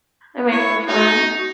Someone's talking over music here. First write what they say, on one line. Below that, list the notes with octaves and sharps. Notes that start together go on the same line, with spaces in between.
I might for fun,
E4 C#5
D#4 F#4